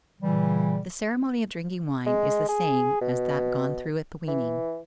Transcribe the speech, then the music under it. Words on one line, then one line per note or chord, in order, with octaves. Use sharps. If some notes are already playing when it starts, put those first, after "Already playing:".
The ceremony of drinking wine is the same as that gone through at the weaning.
A#2 C#3 E3 G3
G#3
G#4
B2
E3